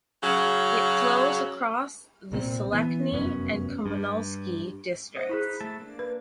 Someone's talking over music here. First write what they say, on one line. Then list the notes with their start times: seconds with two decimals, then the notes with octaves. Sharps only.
It flows across the Solnechny and Komsomolsky districts.
0.21 C#3 F#3
2.32 C2 A#2 G#3 C4
2.72 E3 B3
3.12 F1 F#2 B3 C#4
3.86 G2
5.16 C5 D#5 F#5
5.29 D#4 E4 G#4 B5 F#6
5.61 A3 E5 A5
5.80 A#3 D4
5.99 B4